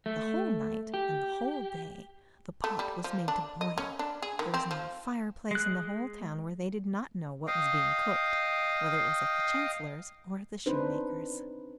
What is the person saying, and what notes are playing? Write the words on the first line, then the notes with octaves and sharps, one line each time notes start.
The whole night and the whole day the pot was made to boil; there was not a fire-place in the whole town where they did not know what was being cooked, whether it was at the chancellor's or at the shoemaker's.
A3
G4
A3
G3
F3
D4
D#5
C#4
D4
G#4
D#3
C4
F3
G#3 F#6
D#5 F5 G5
C4 D4 D#4 B4 C5